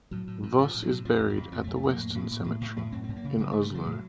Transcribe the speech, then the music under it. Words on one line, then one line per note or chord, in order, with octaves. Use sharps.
Voss is buried at the Western Cemetery in Oslo.
A2 F#3
A2
A2
A2 F3
A2
F#3
A2
F2 F3
F2
D#3
F2
F2 F3
A3
F2
A3
F2 A#3
A2
A2
A2
A2
A2
A2
F#2 C4
C4
F#2
A#3
C#3
C#3 F#3
A3
C#3
A3
C#3 F#3
A2